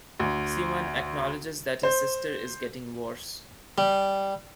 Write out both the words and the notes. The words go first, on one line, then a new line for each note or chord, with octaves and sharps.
Simon acknowledges that his sister is getting worse.
D2
C5
G3